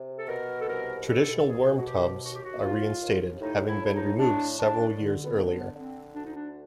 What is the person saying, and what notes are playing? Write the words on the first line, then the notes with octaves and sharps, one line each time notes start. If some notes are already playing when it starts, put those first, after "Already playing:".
Traditional worm tubs are reinstated, having been removed several years earlier.
Already playing: C3
A4
B2 A#4
A4
C2 A#4
B2 A4
B2 G#4
F#4
D#2 G4
D#2 F#4
G4
F#4
D#2 F4
D#2
A2 D#4
E4
A2
E4
D#4
A2 D4
A2 D4
D3
B3
D3
B3
D3 C4
D2 D4
D#4
D4